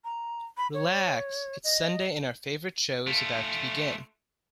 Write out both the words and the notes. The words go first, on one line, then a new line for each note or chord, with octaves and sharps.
Relax! It's Sunday and our favorite show is about to begin!
A#5
B5
C#5
D#5
A3 F4